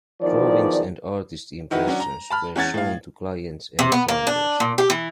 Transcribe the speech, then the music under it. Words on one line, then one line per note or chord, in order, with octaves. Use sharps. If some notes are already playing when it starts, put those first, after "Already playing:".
Drawings and artist impressions were shown to clients and funders.
E2 D#3 F3 D5
D#3 D#4 E4 F#4 B4
F#3 C#4 D4 F#4
A#5
A5 B5 F6
E2 C#4 F#5 G#6 A6
A2 F5
C3
B3
A#3
D4
A#2
G4
E3